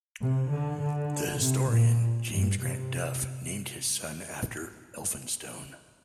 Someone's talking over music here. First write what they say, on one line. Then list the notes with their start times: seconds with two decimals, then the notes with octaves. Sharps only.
The historian James Grant Duff named his son after Elphinstone.
0.21 C3
0.51 D3
0.81 D3
1.41 C3
1.71 A#2
2.31 G2
2.61 C3